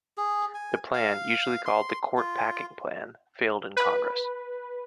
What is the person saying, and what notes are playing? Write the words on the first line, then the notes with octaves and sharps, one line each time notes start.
The plan, usually called the "court-packing plan", failed in Congress.
G#4
G#5
F5
C6
F4
B4